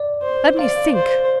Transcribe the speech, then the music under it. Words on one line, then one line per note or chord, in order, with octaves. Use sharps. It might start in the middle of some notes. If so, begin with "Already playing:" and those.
"Let me think."
Already playing: D5
C5
D5 F5
C5